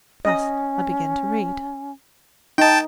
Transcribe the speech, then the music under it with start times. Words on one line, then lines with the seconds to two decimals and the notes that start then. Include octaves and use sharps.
Thus I began to read.
0.25 C#4 D#5
2.58 D#4 G5 A5